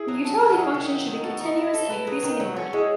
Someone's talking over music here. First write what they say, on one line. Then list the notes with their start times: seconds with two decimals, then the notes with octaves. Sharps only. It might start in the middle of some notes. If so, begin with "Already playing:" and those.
The utility function should be continuous and increasing in money.
Already playing: E4 G#4
0.08 F#3
0.24 A3
0.41 F#3
0.53 F#4
0.57 C#4 E4 G#4
0.74 D#3
0.91 F#3
1.07 D#3
1.23 B3 F#4 A4
1.40 D#4
1.57 D#4
1.74 A4
1.90 E4 B4
2.07 F#3 G#4 B4
2.23 D#3
2.40 F#3
2.56 C#4 F#4 A4
2.73 G#3 E4 G#4